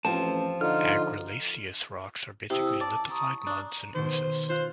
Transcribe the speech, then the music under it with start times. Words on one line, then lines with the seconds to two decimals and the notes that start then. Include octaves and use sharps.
Argillaceous rocks are basically lithified muds and oozes.
0.05 A1 F3 C4 A5
0.61 D3 D#4 F4 F6
2.50 C3 E4 D#6 E6
2.81 D5 A5
3.10 A#5 C#6 D#6
3.47 D4
3.95 B2 D#3 C5
4.49 F4 C5 F5 F#6